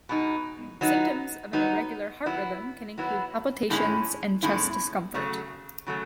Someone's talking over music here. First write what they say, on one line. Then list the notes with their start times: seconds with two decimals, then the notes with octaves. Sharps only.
Symptoms of an irregular heart rhythm can include palpitations and chest discomfort.
0.09 B2 G#3 D#4
0.81 F#3 B3 D#4
1.53 F#3 B3 D#4
2.26 F#3 B3 E4
2.98 F#3 B3 E4
3.70 A2 G#3 C#4 E4
4.43 A2 G#3 C#4 E4
5.14 C#3 F#3 A3
5.87 C#3 F#3 A3